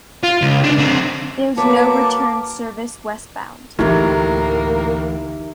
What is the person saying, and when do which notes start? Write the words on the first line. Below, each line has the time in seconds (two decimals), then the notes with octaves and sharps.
There is no return service westbound.
0.23 F4
0.42 C#2
0.64 D4 D#4
0.78 D3 C4
1.57 A#3 F#4 B4 C#5 A5 D6
3.79 D2 A2 E3 A#3 D#4 G4 E5